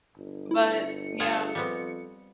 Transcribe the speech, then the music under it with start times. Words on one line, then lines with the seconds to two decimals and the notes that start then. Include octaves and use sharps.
But yeah.
0.17 G1
0.51 E4
0.84 C#7
1.20 F4 G#4 F#5
1.55 F2 G3 B3 C4